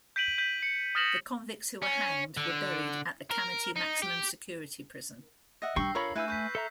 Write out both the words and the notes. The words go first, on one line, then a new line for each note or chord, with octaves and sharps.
The convicts who were hanged were buried at the Kamiti Maximum Security Prison.
G6 B6 D7 D#7 F#7
G6 B6 D#7
C#7
D#6 F6 A6 A#6 E7 F#7
C#4
D3
A#4
D#4
G4
D#5 E5 F#5 A#6
G3 D4 G5 C#6 E6 C7
F4 A4 A#4 C#5 B5 C#6
A3 E4 B4 F5 G#5 E6 F#6 G6
B4 C#6 G6 B6
A4 E5 A#5